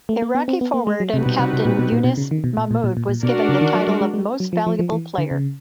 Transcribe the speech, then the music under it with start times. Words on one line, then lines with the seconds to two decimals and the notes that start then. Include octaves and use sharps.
Iraqi forward and captain Younis Mahmoud was given the title of Most Valuable Player.
0.09 A3
0.22 A#3
0.35 B3
0.48 C4
0.61 B3
0.74 A#3
0.87 G#3
1.00 F#3
1.13 C3 G3 C4 D#4 F#4 B4
1.26 B2
1.40 C3
1.53 C3
1.65 A#2
1.79 B2
1.92 A#2
2.04 B2
2.17 C#3
2.31 D#3
2.44 B2
2.57 A#2
2.71 A#2
2.84 A#2
2.97 A#2
3.09 A#2
3.22 B2 D4 F#4 A#4 D5
3.49 C#3
3.61 D#3
3.74 F#3
3.88 G3
4.01 G#3
4.14 G#3
4.40 F#3
4.53 F3
4.67 F3
4.79 F3
4.92 E3
5.18 D3
5.31 C#3